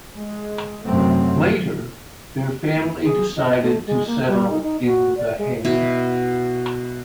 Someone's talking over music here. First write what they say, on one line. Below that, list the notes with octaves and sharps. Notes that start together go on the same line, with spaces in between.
Later, their family decided to settle in The Hague.
G#3
F#2 C3 F#3 A3 C4
G#4
D#5
A3
G#3
A#3
G3
D#4
D#4
F#4
D5
G#3
B2 E4